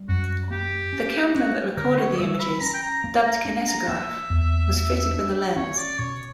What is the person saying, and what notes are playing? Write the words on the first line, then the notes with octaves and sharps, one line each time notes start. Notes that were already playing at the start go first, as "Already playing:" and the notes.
The camera that recorded the images, dubbed "Kinetograph", was fitted with a lens.
Already playing: G3
F#2 F#4
A#3 G4
C#4
A#3 F#4
D3 A#4
C#5
G3 E5
B5
C#4 A#5
G5
A#5
A#3
A#5
D4
A#5
A#3 E5
E2
A#3
D4
C#4 C#5
D5
B2 C#5